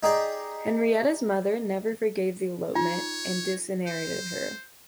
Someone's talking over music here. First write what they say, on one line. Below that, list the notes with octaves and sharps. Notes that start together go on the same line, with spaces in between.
Henrietta's mother never forgave the elopement, and disinherited her.
D#4 G4 G#4 D5
D#4 F4 C#5
C5